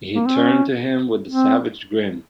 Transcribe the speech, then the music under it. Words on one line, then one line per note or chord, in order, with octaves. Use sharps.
He turned to him with a savage grin.
A#3
C4
C#4
C4